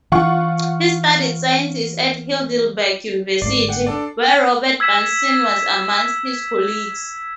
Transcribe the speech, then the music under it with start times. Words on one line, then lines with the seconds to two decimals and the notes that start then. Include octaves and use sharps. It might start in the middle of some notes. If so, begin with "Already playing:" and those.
He studied sciences at Heidelberg University, where Robert Bunsen was amongst his colleagues.
0.12 E3 F4 F#5 C#6
3.42 G1 G#2 A3 D5 C7
3.69 F#5 G5
3.87 D4 A4 D5
4.80 E6 G#6 B6 E7